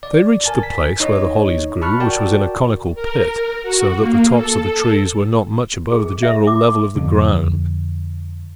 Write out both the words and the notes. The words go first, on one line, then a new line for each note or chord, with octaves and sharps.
They reached the place where the hollies grew, which was in a conical pit, so that the tops of the trees were not much above the general level of the ground.
D5
A#4 G#5 A5 A6
B6
D#4 C#5 D#5
A5 B5 C#6 F6 F#6
F#4 A#4 D5 G5 A5
A#4
F#4
A#3
A4
G#4
E5
D6
F2 D3